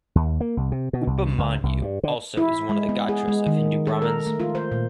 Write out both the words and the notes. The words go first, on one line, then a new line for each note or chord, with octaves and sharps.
"Upamanyu" also is one of the gotras of Hindu brahmins.
D#2
A#3
C2
C3
B2
C2
C#2
C2
G2
D3
E4
G#3
B3
G#4
G#3
D#3
A4
A#4
A3
F4
C5
A#2